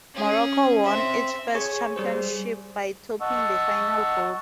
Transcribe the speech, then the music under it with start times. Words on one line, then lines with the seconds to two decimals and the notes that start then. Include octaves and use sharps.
Morocco won its first championship, by topping the final group.
0.14 C#4 G#4
0.83 C4 E5
1.55 G#4 C#5 G#5 C#6
1.96 G3 G#4 C5
3.21 D#5 F#5 A5 C#6 E6